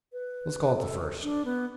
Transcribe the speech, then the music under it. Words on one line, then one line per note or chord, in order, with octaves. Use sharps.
Let's call it the first.
B4
A4
D4
B3